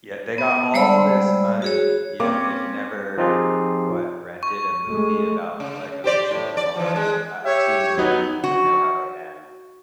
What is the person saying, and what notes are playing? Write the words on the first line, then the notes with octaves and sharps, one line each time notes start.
Yeah, they got all this money, yet they've never, what, rented a movie about, like, a mission to Mars? Like, I I've seen these movies, I know how they end.
B3
G3 G#3 C5 D5 B5 E6
F#4 G#4 C#5
A#3 C4 C#4 D6
F3 C4 D#4 F4 G4 G#4
C#6
G#3 A3
C#3
G4 C5 D5
A2
D5
E3 F3
G#3
G4 C#5 E5
F#3 B3 D#4
F#4